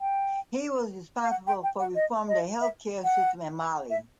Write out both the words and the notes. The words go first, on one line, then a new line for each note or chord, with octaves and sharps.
He was responsible for reforming the healthcare system in Mali.
G5
F5
F#5
G5
G5
F#5
D#5
D#5
E5
F#5
E5